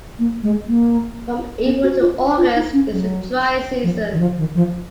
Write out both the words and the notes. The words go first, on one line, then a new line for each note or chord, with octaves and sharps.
From April to August is the dry season.
A#3
G#3
A#3
B3
F#4
F4
F4
D#4
C#4
F#3
F3
D#3
F3
D#3
F3